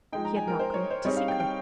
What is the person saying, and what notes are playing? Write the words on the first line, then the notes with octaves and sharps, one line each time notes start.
He had not come to seek her.
F3 G#3 D#4 G5
A#5
G#5
A#4
C5
C#5
C5
G3 C4 D#4 G#4 C#5
F5
G5
G5